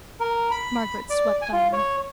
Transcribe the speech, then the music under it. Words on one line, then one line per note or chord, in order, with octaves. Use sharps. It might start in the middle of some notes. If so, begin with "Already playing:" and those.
Margaret swept on.
A#4
B5
D5
G#5
F4
C#5